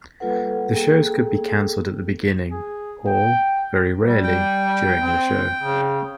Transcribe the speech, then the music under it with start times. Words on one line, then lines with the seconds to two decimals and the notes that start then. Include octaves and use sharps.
The shows could be canceled at the beginning or, very rarely, during the show.
0.20 G3 A#3 F4 A4 B4 F#5
0.72 A#3 G#4 A4 G5
2.52 G#4
3.07 G5
4.04 G3
4.24 G5
5.00 C4
5.63 C#3